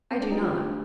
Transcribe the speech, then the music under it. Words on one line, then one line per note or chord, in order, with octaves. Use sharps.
"I do not."
C4
D4
D#4
F4
D2 G4